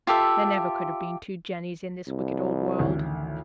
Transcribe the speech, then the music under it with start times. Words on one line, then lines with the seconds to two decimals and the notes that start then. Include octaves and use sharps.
There never could have been two Jennies in this wicked old world.
0.07 F4 G4 A4 E5
2.08 C2
2.79 A1 D2 D#3